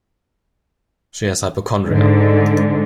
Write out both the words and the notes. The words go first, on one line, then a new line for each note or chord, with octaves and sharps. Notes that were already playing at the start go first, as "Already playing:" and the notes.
She has hypochondria.
G#2 D3